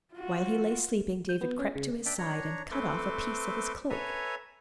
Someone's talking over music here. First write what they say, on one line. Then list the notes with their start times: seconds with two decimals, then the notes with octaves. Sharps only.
While he lay sleeping David crept to his side and cut off a piece of his cloak.
0.14 F4 F#4
1.29 G6
1.41 B3
1.59 C#4
1.75 C#3
2.06 D4 D5 E5 G5
2.18 D4 C#5 A#5
2.71 A3 C4 A4 B4 C6 D6
3.90 A4 B4 C#5 E5 G#5 A#5